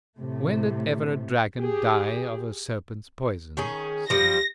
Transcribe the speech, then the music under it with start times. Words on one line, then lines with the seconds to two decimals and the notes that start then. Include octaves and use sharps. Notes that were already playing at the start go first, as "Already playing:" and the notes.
"When did ever a dragon die of a serpent's poison?"--said he.
0.18 A2 C3 A3
1.57 G4 G#4
3.57 D#3 C#4 G#4
4.10 F3 G3 A#6